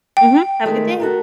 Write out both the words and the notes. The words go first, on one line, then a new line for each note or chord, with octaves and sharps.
Mhm. Have a good day.
G5
D#3 G#3 A3
F#4 A4 A#4